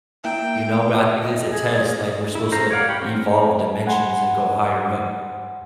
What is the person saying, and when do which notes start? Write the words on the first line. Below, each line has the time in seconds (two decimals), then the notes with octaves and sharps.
you know? But I think it's a test. Like, we're supposed to evolve dimensions and go higher up.
0.24 A#3 E4 E5 G5
1.22 D#5
1.51 G#4
2.35 E4
2.52 C#4 C5 A#5
2.70 C#5 D5 F5 F#5
2.89 G4 C#5 B5
3.01 C4
3.87 F#5 G#5 B5 C6